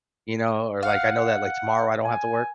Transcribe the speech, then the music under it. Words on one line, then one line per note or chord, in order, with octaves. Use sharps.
you know? Or, like, I know that, like, tomorrow I don't have to work,
F5 F#5
G#5